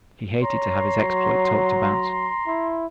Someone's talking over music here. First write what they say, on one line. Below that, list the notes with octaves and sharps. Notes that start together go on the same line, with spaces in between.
He hated to have his exploit talked about.
C#5 A#5 C6
F#3
E4